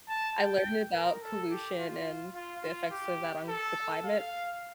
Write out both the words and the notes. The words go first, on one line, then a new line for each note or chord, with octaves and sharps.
I learned about pollution and the effects of that on the climate
A5
G5
A#4
A4
G4
F4
F4
F4
G4
A4
F5